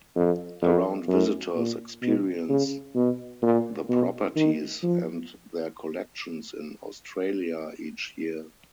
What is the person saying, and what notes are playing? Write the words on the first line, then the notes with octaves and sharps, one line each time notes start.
Around visitors experience the properties and their collections in Australia each year.
F2
F2
F#2
A#2
B2
C#3
B2
A#2
B2
D#3
F3